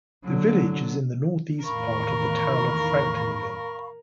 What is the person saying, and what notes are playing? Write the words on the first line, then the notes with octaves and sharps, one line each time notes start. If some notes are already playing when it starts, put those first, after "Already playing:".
The village is in the northeast part of the town of Franklinville.
D3 F#3
E2 A2 D#3 A#4 F5 B5 C#6